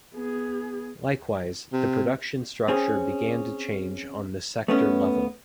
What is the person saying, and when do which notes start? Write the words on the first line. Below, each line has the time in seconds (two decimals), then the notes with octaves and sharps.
Likewise, the production structure began to change on the sector level.
0.15 B3 G#4
1.73 C3
2.68 C4 C#4 G#4
4.68 A3 B3 C#4